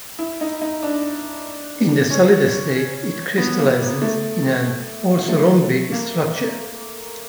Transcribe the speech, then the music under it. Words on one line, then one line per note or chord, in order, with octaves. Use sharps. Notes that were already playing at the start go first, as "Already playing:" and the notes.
In the solid state, it crystallizes in an orthorhombic structure.
E4
D#4
D#4
D4
C#4
B3
A#3
A3
A3
A#3